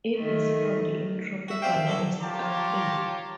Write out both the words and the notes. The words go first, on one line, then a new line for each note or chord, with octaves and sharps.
It is found in tropical West Africa.
D#3 A3
F#4 E5
C4 D5 E5 F5 G5
D3 F#3 A4
F4 G4 C#5 A5 A#5 D6